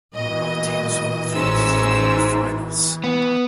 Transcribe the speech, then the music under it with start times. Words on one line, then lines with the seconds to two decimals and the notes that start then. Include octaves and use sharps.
All teams will advance to the quarterfinals.
0.14 A#2 D#5
1.35 A1 G#2 C#4 E6
3.04 B3